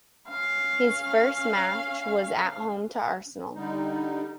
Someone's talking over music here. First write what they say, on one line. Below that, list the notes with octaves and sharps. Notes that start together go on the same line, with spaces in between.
His first match was at home to Arsenal.
C#4 F5
D3 G3 D#4